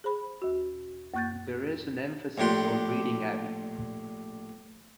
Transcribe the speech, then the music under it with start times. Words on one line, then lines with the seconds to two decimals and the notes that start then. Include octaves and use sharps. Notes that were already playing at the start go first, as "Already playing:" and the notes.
There is an emphasis on Reading Abbey.
0.04 G#4 C5 B5
0.42 D#2 F#4
1.14 F#2 A#3 C#6 F#6 G6 A6
2.38 A#1 A2 D4 G4 C6